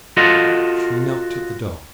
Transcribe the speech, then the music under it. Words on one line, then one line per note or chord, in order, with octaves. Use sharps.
She knocked at the door.
F4 F#4 A4 D#5